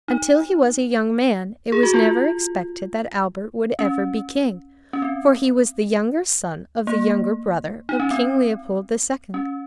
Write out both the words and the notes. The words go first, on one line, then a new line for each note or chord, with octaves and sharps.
Until he was a young man it was never expected that Albert would ever be King, for he was the younger son of the younger brother of King Leopold the Second.
D#4
G#4
F#4
F4
C#4
C#4
C4
A#3
D#4
C#4
C4
C#4